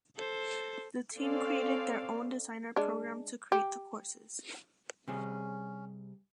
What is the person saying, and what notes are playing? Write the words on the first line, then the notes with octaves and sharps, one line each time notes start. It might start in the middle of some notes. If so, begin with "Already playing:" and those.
The team created their own designer program to create the courses.
A4 C5
C4 C#4 A4 D5 F5
G#3 D4
G4
C3 G3 C#4 G#4